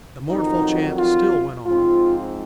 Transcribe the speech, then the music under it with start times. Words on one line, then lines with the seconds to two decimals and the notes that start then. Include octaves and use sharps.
The mournful chant still went on.
0.29 F2 D#3 F#3 C4 D#4
0.98 F4
1.66 G#2 F3 C4 F4